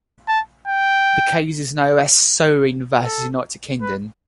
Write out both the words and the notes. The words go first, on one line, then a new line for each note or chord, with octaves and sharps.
The case is known as "Soering versus United Kingdom".
A5
G5
A4
B4